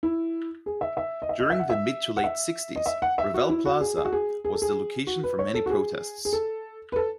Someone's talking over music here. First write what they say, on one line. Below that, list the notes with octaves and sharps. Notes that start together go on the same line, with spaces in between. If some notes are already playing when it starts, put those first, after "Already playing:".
During the mid-to-late sixties, Revelle Plaza was the location of many protests.
E4
G#4
E5
E5
D#5
E5
D#5
E5
F#5
E5
F#5
E5
D#5
E5
F#5
E5
F#4
E4
F#4
G#4
G#4
F#4
G#4
G#4
A4
G#4
F#4
B4
C#5
A4
F#4
G#4
G#4
A4
B4
A4